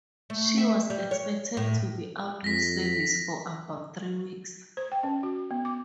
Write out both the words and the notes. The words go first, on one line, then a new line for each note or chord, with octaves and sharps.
She was expected to be out of service for about three weeks.
A3
E5
G3
C#5
A2
F2 A#6 B6
C5
G5
C#4
F#4
B3
D6